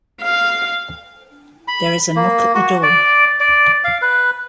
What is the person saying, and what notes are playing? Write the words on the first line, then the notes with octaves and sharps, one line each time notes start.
There is a knock at the door.
F5
B5
A#3
F#4
D5
D5
F5
B4